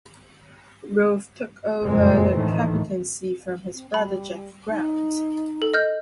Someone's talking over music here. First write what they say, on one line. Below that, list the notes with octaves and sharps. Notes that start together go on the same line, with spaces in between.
Rolph took over the captaincy from his brother Jackie Grant.
F#1 F2 A#2 G#3 A#3 C4
D2 A2 D#3 E3 A3
C4
G3 B5
D#4
A4
D#5 F6 G6